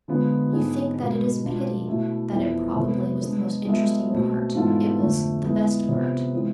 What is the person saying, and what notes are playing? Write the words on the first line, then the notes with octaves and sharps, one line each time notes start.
You think that it is a pity, that it probably was the most interesting part, it was "the best part."
D3 F3 G#3 B3 F4
G#2 G#3 B3 D4 G#4
B2 G#3 B3
B2 G#3 D4 F4
B2 A3 E4 A4
F2 E3 B3 E4 A4
C3 G#3 B3
G#3 B3 D4
G#3 B3 F4 A4 E5
B2 A3 C4
G#2 E3 B3 F4 A4
F2 D3 A3
G#3 B3 E4
C3 F3 B3
E3 G#3 C4 F4